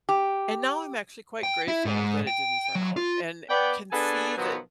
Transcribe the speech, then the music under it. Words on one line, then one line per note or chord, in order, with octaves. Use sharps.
and now I'm actually quite grateful that it didn't turn out, and can see that
G4
G5
E4
G#2
G5
F#3
F4
B3 D5 G5
B3 D4 G#4 A4 G#5
B2 D#3 F3 F#3 B3